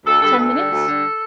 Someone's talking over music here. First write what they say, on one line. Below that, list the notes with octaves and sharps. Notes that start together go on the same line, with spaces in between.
Ten minutes?
D2 A4
D3 G3 A4
B4
D2 A4
D3 G3
D2
D3 G3